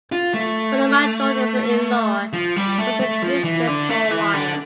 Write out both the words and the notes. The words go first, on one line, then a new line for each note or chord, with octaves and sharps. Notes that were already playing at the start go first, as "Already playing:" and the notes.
One of my daughters-in-law was his mistress for a while.
F4
A3
F3
G3
A3
A3
F3
E3
D3
A3
E3
D3